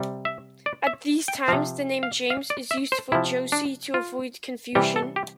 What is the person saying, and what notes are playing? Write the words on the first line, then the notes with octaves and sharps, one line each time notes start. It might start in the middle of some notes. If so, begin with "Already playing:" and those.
At these times, the name "James" is used for Josie to avoid confusion.
Already playing: C3 G3
E5
D5
E5
G5
C3 F3 F5
F5
F5
D5
E5
C5
C3 F3 E4
D4
F4
C3 E3 G3 G4
A4
G4